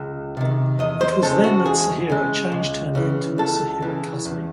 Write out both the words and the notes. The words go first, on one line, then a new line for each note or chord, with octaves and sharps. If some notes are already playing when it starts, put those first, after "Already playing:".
It was then that Sahira changed her name to Sahira Kazmi.
Already playing: C#2
C3 D#3
E2 D#5
C5
C#3 G#3 A4
F#4
E2 G#4
C#3 G#3
C#2
C#3 E3
C#2 A4
C#3 E3
E2